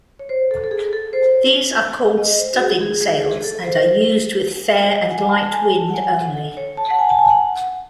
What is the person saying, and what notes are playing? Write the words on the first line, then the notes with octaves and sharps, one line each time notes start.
These are called studding sails, and are used with fair and light wind only.
C#5
C5
A4
A4
G#4
A4
C5
C5
C#5
D#5
C5
F#4
G#4
G#4
G#4
G#4
A4
C5
C#5
D#5
F#5
G#5
A5
G#5
A5
F#5
G#5
F#5
A4
C#5
A5
F#5
G#5
A5
G#5
F#5